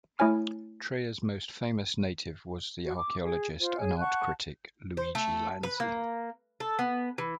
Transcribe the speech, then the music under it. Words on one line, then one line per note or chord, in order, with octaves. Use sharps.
Treia's most famous native was the archaeologist and art critic Luigi Lanzi.
A3 E4 C#5 G#5 F6
F#4
D6
G#4
F4 C5
G#4 C#5 G#5
F#5 A5 C#6 F#6
C5
A3
B4
A#3
A4
B3
E3